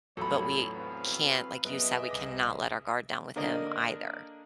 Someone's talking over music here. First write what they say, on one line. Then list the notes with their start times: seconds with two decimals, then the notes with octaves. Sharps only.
"But we can't," like you said, "we cannot let our guard down with him either"
0.17 E2 A2 F#3 F4 A4 C#5 B5
0.75 C4 B4 F5
1.65 F#2 B3 G#4 B4 D#5 E5 D7
2.09 C2 D6 A#6
3.36 D3 A#3 D4 D#5